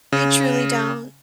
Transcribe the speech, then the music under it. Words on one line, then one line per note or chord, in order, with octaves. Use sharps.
They truly don't.
C#3